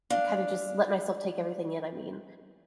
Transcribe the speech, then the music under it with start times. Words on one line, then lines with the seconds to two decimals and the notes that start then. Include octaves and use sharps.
kinda just let myself take everything in, I mean.
0.10 D4 F5